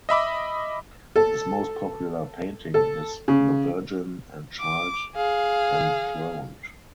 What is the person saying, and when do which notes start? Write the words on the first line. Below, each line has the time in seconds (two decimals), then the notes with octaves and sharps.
His most popular painting is "The Virgin and Child Enthroned".
0.09 D#5 E5 B5 D6
1.16 A4
2.74 A4
3.28 C#3
4.60 D6
5.16 G#4 F5